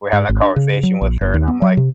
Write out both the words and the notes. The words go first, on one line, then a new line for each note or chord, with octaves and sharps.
we had that conversation with her and I'm like,
G#2
G#1
D4
C#3
F#3
A#1
F#1
D#2
B3
F#3
C3